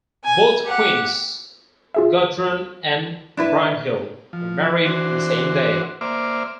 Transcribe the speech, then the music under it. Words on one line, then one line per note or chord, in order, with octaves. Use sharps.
Both queens, Gudrun and Brynhild, were married on the same day.
G#5
G4 F#5
F4 G#4 E5
D4 E4 B4
F3
E3 D4 F#4 C5
A#3 C5 D5 E5 D6 F6